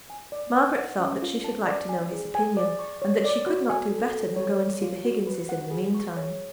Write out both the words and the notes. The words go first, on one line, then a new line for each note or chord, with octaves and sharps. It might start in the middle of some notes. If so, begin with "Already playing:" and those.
Margaret thought that she should like to know his opinion, and that she could not do better than go and see the Higginses in the meantime.
G#5
D5
B4
F#5
C#4
F4
A5
D5
G#5
G#4
G#5
D5
C#6
C#5
D5
F#4
G#5
A4
A4
C#5
D5
F4
F#4
B4
F#5
G#4
C#6
C#5